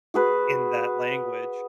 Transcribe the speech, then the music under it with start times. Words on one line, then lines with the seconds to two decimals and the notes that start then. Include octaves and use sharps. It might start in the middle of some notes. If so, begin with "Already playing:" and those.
in that language.
0.14 F#4 G#4 B4